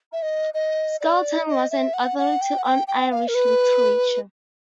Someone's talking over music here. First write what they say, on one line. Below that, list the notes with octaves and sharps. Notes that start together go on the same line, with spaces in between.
Skelton was an authority on Irish literature.
E5
D#5
D#5
D5
D#5
E5
F#5
F#5
G5
F#5
G5
G5
F5
A#4
B4